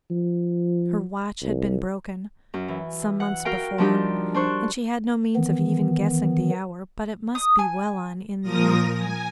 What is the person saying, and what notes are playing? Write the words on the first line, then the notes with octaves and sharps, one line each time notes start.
Her watch had been broken some months before, and she had no means of even guessing the hour, but it must be well on in the evening.
F3
C2
F#2
E3
F#5
F#4 A#4 F5 G5
F3 G3 D4 D#4 G4
D4 C5 C#6 F#6
D#3 E3 B3
D#6
G#5
A#2 F3 A#4 D#6 A#6
G#5